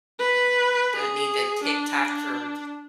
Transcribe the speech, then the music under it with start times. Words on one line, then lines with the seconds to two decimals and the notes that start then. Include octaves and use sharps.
don't need the TikTok for
0.19 B4
0.96 G#4
1.63 D4